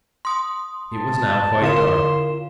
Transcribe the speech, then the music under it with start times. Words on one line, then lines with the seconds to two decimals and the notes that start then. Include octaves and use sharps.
It was now quite dark.
0.25 C6 D#6
0.93 A5
1.62 D3 E4 F4 A#4 F5 C6 E7